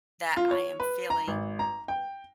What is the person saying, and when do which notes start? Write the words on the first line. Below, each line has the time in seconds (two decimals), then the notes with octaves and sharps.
that I am feeling
0.37 F4
0.51 C#5
0.80 B4
1.10 A#5
1.28 G#1
1.59 A#5
1.88 G5